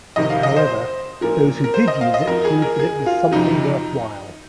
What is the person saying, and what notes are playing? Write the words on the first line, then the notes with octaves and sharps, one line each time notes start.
However, those who did use it proved that it was something worthwhile.
F2 C3 D#3 D#5
F5
D#5
C5
A#2 F3 A#4
A#4
C5
D#5
F5
D#5
F2 F3 A#4
G#4
A#4
G#4
F4
F2 C3 F3 D#4